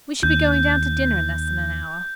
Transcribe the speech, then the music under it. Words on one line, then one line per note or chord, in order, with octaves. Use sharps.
"We shall be going down to dinner in less than an hour."
D#2 G6